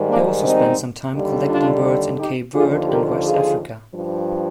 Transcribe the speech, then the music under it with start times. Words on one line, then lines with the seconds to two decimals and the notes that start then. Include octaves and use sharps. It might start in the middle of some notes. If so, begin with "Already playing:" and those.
He also spent some time collecting birds in Cape Verde and West Africa.
Already playing: G#2 D#3 G3
0.08 A#3 D4
0.43 C4 D#4
1.14 D#2 D3 G3
1.49 D4 F4
2.19 D#4 G4
2.54 D#2 D3 F3 F4 G#4
2.89 G4 A#4
3.24 F4 G#4
3.94 G2 F3